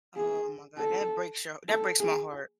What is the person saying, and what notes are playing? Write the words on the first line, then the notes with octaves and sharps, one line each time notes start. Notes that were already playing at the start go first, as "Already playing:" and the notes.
Oh, my god, that breaks your that breaks my heart.
G#4
A4
A4
G#4